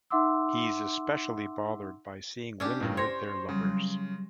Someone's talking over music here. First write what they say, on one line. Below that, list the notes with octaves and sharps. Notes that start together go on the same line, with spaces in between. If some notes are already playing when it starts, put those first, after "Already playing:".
He's especially bothered by seeing women with their lovers.
D#4 E5 F#5 C6 D6 E6
C#4 D4 G4
A1 G2 C#3 G5
C5 C#5 C6 G#6 A#6
C#3 F#3 G3